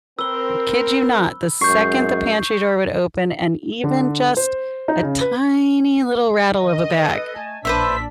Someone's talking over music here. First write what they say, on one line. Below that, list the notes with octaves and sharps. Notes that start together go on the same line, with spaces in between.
kid you not, the second the pantry door would open and even just a tiny little rattle of a bag
C4 A#4 B4 E6 G7
F#2 G#3 C#6 G6 C7
D3
C5
D#4
C#3
B4
D#3 D#5
A4 B4
A3 G#5 A5
A#1 D4 B4 C5 E5 E6 B6